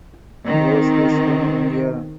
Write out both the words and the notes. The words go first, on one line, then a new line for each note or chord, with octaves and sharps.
Bose is from India.
D#3 C4